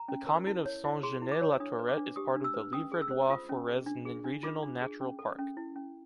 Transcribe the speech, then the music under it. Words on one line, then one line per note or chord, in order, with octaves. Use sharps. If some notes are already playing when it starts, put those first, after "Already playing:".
The commune of Saint-Genès-la-Tourette is part of the Livradois-Forez regional natural park.
Already playing: A#5
C#4
A#4
E4
C#5
E4
G#4 C6
E4
D6
C#5
D4 D#6
B4
D6
D4
G4 D#6
D4
E6
B4
C#4 D#6
G#4
E6
C5
F4 D#6
C#4
G#4
D4
G#4
D4
F4 D6
D4
G#4
C#4
A4
C#4
E4
C#4